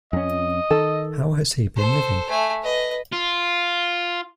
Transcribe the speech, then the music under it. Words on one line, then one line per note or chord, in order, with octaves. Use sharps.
How has he been living?
F2 C#4 D#5
D#3 A4
A4 C5
A3 G#5
B4 D#5
F4